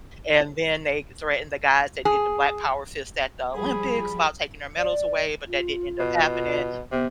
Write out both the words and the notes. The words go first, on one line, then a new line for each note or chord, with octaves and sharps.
And then they threatened the guys that did the Black Power fist at the Olympics about taking their medals away, but that didn't end up happening.
G#4
F3 G3 G#4 B5
D5
F4
B2
C3 B3